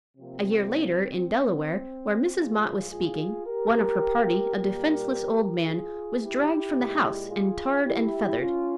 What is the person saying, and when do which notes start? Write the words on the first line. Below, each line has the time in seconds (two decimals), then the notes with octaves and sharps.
A year later, in Delaware, where Mrs. Mott was speaking, one of her party, a defenceless old man, was dragged from the house, and tarred and feathered.
0.17 C3 F3 A#3 C4
2.36 A#2 F3 G#3 F4 G#4
2.92 F4 G#4
3.47 G4 A#4
4.56 A#2 G3 A#3 G4 A#4
5.65 F4 G#4
6.20 E4 G4
6.75 A#2 G#3
7.30 F4 G#4
7.85 E4 G4
8.40 C#4 F4